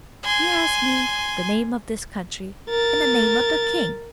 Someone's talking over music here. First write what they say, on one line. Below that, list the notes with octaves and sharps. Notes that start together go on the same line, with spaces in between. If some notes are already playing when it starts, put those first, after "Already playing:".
He asked me the name of this country and the name of the king.
G#5 C6
A#4 A6